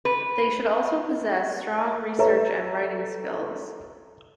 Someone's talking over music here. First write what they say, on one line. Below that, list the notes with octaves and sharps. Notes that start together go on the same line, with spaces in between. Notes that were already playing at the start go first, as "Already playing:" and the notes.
They should also possess strong research and writing skills.
B4
A4 B4 C#5 E5 A#5